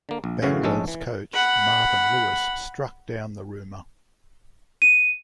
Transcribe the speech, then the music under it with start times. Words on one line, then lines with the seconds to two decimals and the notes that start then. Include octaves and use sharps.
Bengals coach Marvin Lewis struck down the rumor.
0.09 D3 A#3
0.24 A#1
0.42 F#2 A2 C#3 E3 F#4 F5
0.64 A#1 G#2 G#3 A3 C#4 A4
0.88 E3
1.34 F#5 B5
4.82 D#7